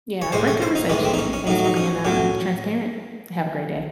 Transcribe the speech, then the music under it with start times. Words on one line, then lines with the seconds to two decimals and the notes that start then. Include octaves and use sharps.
Yeah, great conversation, and thanks for being, um, transparent. Have a great day.
0.22 C#5
0.32 A2 G#3 C5
0.48 C#5
0.62 C5
0.75 D#4
0.90 A2 E3 G#3 C#4
1.05 C4
1.14 D#4
1.19 C#4
1.33 C#4
1.47 A2 F#3 D#4
1.64 D#4
1.77 C#4
2.05 A2 F#3 C#4